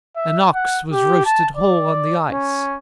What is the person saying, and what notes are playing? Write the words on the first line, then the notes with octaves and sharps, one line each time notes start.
An ox was roasted whole on the ice.
E5
F#5
G4
A5
D5
C#4